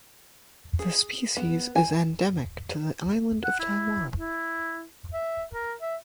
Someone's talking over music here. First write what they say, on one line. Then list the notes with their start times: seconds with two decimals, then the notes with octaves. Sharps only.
The species is endemic to the island of Taiwan.
0.79 G#4
1.37 B3
1.76 G#5
3.44 F#5
3.59 E4
4.19 E4
5.13 E5
5.53 A#4
5.81 E5